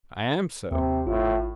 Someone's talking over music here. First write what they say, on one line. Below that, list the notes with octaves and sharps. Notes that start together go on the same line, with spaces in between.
I am so.
D#2 C3
G#1 A2 F4